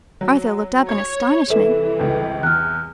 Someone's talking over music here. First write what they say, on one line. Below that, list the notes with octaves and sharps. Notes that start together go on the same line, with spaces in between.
Arthur looked up in astonishment.
F#3
C#5 G#6
C2 E3 A4 B4 E5
G#1 C#2
E2 F6 F#6